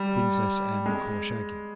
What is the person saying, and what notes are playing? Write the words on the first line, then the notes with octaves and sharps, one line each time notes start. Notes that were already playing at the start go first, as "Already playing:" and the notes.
Princess M. Korchagin.
Already playing: G3
G#3